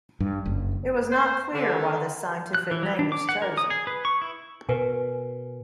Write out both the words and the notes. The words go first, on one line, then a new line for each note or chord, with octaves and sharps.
It was not clear why this scientific name was chosen.
G2
F#1
C5
D3
F#6
E3
F#3
D4
D6
F#5
A#4
D#6
G#4
B4
C#6
E4
B2 A#4 B4 G#5